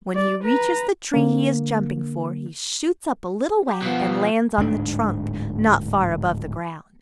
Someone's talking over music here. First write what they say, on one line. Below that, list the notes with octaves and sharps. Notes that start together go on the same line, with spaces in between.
When he reaches the tree he is jumping for he shoots up a little way and lands on the trunk not far above the ground.
D5
B4 A#5
D3 A#3
G4
B2 F3 B3
D1 G#2 D4